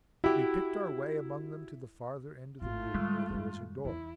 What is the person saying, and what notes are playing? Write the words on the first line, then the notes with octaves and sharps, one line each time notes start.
We picked our way among them to the farther end of the room where there was a door.
E4 F#4 G4
G#1 A3 C4 F4
D3 G3 G#3
F#2 D#3
E2 E4